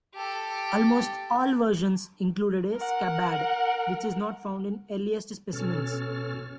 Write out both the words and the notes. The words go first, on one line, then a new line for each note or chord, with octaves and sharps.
Almost all versions included a scabbard, which is not found in earliest specimens.
G4 A4
A#4 F#5
B2 C#4 A4 F6